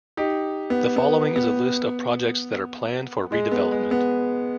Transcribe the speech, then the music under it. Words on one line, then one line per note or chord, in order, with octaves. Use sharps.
The following is a list of projects that are planned for redevelopment.
D#4 G4
B3
B3
B3
G#3
B3
G#3
B3